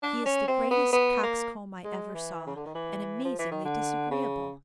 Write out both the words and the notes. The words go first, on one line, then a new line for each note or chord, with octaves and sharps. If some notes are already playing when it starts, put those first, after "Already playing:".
He is the greatest coxcomb I ever saw, and amazingly disagreeable.
D4
C#4
C4
B3
B3
A#3
G#3
E3
C#3
D3
D#3
E3
F3
E3
D#3
D3
C#3